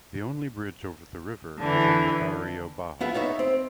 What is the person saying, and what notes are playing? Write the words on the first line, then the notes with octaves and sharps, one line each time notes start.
The only bridge over the river is in the Barrio Bajo.
D3 E3
B3 E4 F4 G#4
B3 D#4 C#5 E5
C4